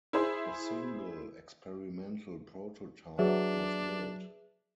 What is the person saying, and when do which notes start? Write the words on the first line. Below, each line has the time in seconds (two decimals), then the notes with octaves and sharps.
A single experimental prototype was built.
0.13 E4 G#4 C5 E5
3.19 F#3 D4 G#4 B4 E5